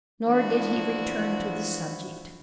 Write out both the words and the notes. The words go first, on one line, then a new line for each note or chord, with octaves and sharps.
Nor did he return to the subject.
E3 F3 D4 E4 F#4